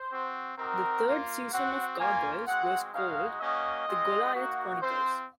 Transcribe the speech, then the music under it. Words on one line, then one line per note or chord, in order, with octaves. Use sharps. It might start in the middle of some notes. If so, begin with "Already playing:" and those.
The third season of Gargoyles was called "The Goliath Chronicles".
Already playing: C5
C4 F#4
C4 D#4 F#4 A#4
A#3 F4
C4 F#4 F#5
A#3 C#4 F4 G#5
G#3 C4 F#4 F#5
G#3 D#4 F#4 F5
A#3 C#4 F#4 D#5
G#3 C4 F4
A#3 D#4 F#4
C4 F4 C5